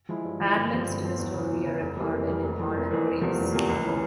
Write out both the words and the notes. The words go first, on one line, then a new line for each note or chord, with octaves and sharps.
Parallels to the story are recorded in modern Greece.
F3 G#3 E4
G2
F3 G#3 E4
G1
G2 F3 C4
G1
G2 F3 C4
E2
C#3
E3
E2
C#3 E3
F1
F2 E3 G3 A#3
F1
F2 E3 G3 A#3
F1
F2 E3 A#3
F1
F2 E3 A#3
F1
E2 C3 F3 A#3
F1
E2 C3 F3 A#3
C#2
C#3 E3